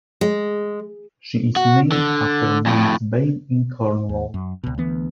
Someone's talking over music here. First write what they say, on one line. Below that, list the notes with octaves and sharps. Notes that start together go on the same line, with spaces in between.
She is named after Mount's Bay in Cornwall.
G#3
F#4
D3
F2 A2
D#2
F#2
C#2 B2
D2 E3 B3